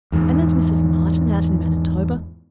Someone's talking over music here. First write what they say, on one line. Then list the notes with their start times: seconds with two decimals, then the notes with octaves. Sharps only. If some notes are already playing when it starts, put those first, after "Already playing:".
And there's Mrs. Martin out in Manitoba.
0.12 E2 G#2